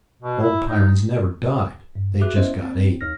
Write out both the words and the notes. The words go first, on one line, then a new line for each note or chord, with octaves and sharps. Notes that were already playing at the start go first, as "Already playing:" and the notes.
Old Pyrrans never died, they just got et.
B2
E4
D#4
G2
F#4 G#4 B4 E5 D6 F#6
B3 C#4 E4 C5 D#5 E5
A#3 C4
D#2 D#4 F6 A#6